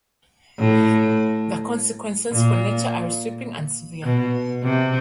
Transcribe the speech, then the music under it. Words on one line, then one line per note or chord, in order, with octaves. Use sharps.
The consequences for nature are sweeping and severe.
A2
A#2
B2
C3